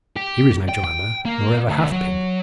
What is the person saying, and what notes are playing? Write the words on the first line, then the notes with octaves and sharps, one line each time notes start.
Here is no Joanna, nor ever hath been.
G4
G5
G5
A#3
D2
F#3